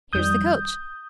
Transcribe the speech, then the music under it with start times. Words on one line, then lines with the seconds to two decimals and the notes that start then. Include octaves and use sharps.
Here's the coach.
0.13 F2 D#3 G3 D#6 G6